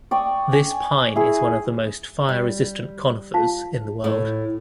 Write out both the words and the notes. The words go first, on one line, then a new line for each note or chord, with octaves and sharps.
This pine is one of the most fire-resistant conifers in the world.
D5 G5 C#6 D#6
G#5
E4 G#4
G3
F4 F5 A5
A2